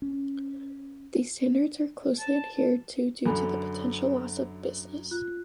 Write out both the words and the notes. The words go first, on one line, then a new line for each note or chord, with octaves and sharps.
These standards are closely adhered to due to the potential loss of business.
C#4
A5
F#2 D3 A4 G#5 B5
F4 F#6